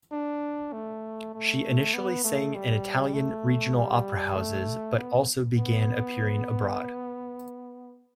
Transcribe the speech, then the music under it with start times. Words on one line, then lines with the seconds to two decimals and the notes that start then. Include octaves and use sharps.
She initially sang in Italian regional opera houses but also began appearing abroad.
0.12 D4
0.73 A3
1.34 A3
1.94 B3
2.24 A3
2.54 G3
3.14 A3
3.75 G3
4.36 A3
4.96 B3
5.57 B3